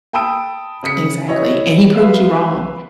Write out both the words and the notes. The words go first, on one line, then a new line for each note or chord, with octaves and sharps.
Exactly, and he proved you wrong,
G5 A5 B5 D#6 E6 D7
C#3 D#6 B6 C#7
E4 C#5 D#5
B4 E5 F5